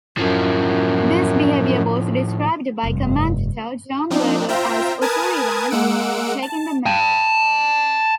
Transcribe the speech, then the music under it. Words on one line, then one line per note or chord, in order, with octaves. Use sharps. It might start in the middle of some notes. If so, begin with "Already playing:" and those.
This behaviour was described by commentator John Virgo as O'Sullivan "taking the mick".
F#2 A2 F3
F1 G2
F3 C4 D4 D#4
F4 C5 E5 G5 A#5
A#4 B4 G#5 A5 D#6 G#6
G#3 A#3 F#5 E6 D7
A5
G5 A5